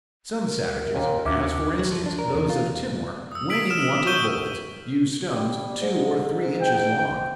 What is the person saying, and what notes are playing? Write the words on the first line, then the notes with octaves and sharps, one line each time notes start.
Some savages--as, for instance, those of Timor--when in want of bullets, use stones two or three inches long.
A#4
D#2 A#2
D#2 C#4 D4 F#4 E5 D6
F#3
F3
D4
A#4
E2
F4
D#6 E6
E6 B6 D7 F#7
D#6 F6 E7
C#6 E6 G6 D#7 G7
G3
G#2
G5